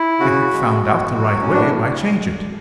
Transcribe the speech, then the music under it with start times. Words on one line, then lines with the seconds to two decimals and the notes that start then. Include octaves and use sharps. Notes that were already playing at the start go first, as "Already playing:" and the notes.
"If they had found out the right way, why change it?"
Already playing: E4
0.20 C#3 F#4
0.53 G#3
0.87 B2
1.19 F#3
1.41 C#4
1.53 A2 D4